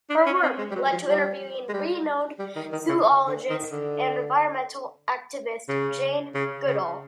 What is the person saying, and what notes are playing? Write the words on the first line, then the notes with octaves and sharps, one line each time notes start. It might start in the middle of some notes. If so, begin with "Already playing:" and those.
Her work led to interviewing renowned zoologist and environmental activist Jane Goodall.
D4
C#4
C4
G#3
G3
F#3
F3
G3
G#3
G3
G3
D#3
D#3
C#3
D3
D#3
D3
C#3
C#3
C#3